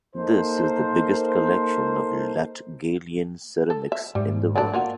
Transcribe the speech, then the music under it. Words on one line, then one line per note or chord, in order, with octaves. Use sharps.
This is the biggest collection of Latgalian ceramics in the world.
A#3 D#4 A4 A#4 C5
A4
E5
G#2 G3
F#3 A3 D4 D5
A#3 F4 F#4